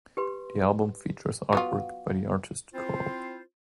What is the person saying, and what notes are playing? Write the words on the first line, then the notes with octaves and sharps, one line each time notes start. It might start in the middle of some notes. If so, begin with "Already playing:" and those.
The album features artwork by the artist Coop.
G4 B4 C6
F#3 B3 F4
C4 E4 F4 C5